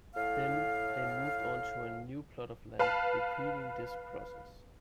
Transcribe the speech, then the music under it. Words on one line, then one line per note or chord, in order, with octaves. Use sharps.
Then, they moved on to a new plot of land, repeating this process.
A2 F5
B4 F5 A5